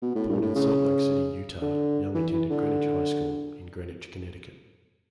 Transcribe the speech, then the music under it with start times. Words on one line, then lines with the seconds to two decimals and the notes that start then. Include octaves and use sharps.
Born in Salt Lake City, Utah, Young attended Greenwich High School in Greenwich, Connecticut.
0.02 B2
0.15 A2
0.29 G2
0.42 A2
0.56 C#3
1.62 D3
2.15 E3
2.33 E3
2.50 D3